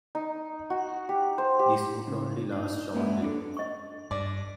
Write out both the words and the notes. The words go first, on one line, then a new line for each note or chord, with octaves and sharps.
This would only last shortly.
D#4
F#4
G4
C5
G4
C#3
D4 D#4
G#3 A#3 B3 C#4 E4
D4 A4
D#5 C#6
G2 D5